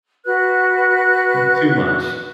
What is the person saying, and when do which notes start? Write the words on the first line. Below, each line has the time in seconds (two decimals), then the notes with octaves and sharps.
N too much.
0.25 F#4 B4 F#6